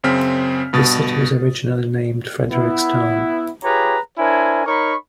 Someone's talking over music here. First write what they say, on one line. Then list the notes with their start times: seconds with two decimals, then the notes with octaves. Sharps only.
The city was originally named "Frederick's Town".
0.03 F#2 C#3 C4 F6 B6
0.73 G2 B2 D#6 A6
2.51 B3 E4
3.64 F4 G4 G#4 B4 C#5 A#5
4.18 D4 E4 A#4 C5 C#5 G#5
4.66 D#4 A#4 C#5 B5 C#6